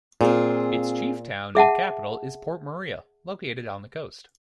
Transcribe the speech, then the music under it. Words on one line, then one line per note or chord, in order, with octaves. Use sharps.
Its chief town and capital is Port Maria, located on the coast.
A#2 C4 F4 G#4
G#4 E5 F#5 A5